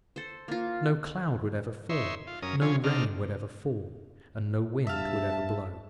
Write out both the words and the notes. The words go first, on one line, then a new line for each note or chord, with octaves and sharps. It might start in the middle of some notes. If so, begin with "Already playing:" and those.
No cloud would ever form, no rain would ever fall, and no wind would ever blow.
A4 C5
A#3 F4
D#4 C#5 E5 C6
F4
F#2 C#4 A#4 D#6
C#3 F3 C#5 G#5
C3 D4 D#4 F6
G2 E5 F5 A5